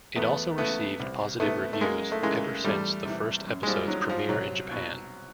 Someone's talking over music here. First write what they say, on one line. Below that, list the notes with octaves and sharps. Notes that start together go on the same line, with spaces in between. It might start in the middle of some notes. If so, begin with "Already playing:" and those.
It also received positive reviews ever since the first episode's premier in Japan.
E2 A3 B3
C#3 E3 A3 B3
C2
C3 D#3 A3 B3
A3
F#2 G#3 A#3
A3
C#3 E3 G#3 A#3
E2 G3 A3
C3 E3
F#2
G#3
F3 G3
D#3 F#3
F3
C2 F#3
B2